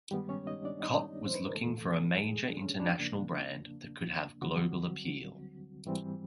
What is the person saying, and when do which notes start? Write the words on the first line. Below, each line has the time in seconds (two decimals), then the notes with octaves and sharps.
Cott was looking for a major international brand that could have global appeal.
0.11 G2 D#3 G3 G#3 B3 G4
0.29 C#4 C#5
0.47 D#4 D#5
0.65 D4 D5
0.83 D#4 D#5
1.26 C5
1.35 B4
1.45 A#4
1.55 F2 C3 E3 A3 A4
2.26 G#3 G#4
2.44 D4
2.62 C#4
2.80 D4
2.99 E2 C#3 F3 A#3
4.42 D2 D3 F#3 G3 C4 F#4
5.85 G#2 E3 G3 C4